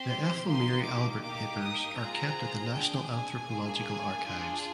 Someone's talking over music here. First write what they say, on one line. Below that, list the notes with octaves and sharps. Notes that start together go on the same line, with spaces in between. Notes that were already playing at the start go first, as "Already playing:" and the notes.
The Ethel Mary Albert Papers are kept at the National Anthropological Archives.
Already playing: C4 G4 C6
A#3 D#4 G4 C6
D6
A#3 D#4 G4 D6
D#6
C4 F4 G#4 A#5
D4 G#4 G5
G#5
A#3 D4 G#4
D4 F4 G#4